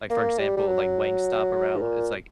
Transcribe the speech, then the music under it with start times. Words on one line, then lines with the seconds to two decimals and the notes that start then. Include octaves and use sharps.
like for example, like Wingstop, around w it's like
0.10 A#3
0.39 G3
0.57 G3
0.67 F#3
1.76 G2
1.81 A#2